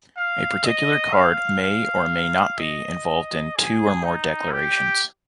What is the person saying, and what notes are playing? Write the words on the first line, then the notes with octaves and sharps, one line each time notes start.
A particular card may or may not be involved in two or more declarations.
F5
D#5
F5
F5
D#5
G#4
D#4
G4